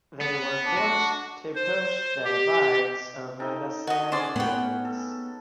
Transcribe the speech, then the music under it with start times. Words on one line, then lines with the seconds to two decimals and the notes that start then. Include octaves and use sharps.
They were forced to push their bikes over the sand dunes.
0.21 B3
0.65 D4
0.77 F#4
1.55 C5
2.25 G4
3.39 D#4 A4 G5
3.87 F#4 D#5
4.12 C#4 G#4 B4 C5 D5
4.36 B3 F#5 G5
4.85 A4